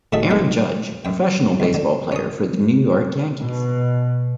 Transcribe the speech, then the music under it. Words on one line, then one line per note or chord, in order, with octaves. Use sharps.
Aaron Judge, professional baseball player for the New York Yankees.
A2 D#3 F#4 G#4 E5 A5
G#3 B3 D#4 A4
F#2 G5
C#2 G#2
D3
C#4 D#6
B2